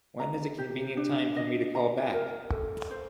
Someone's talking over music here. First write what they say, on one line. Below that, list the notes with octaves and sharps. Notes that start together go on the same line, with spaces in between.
When is a convenient time for me to call back?
A#5
G4
D4
D#5
A#5
A#4
A4
C5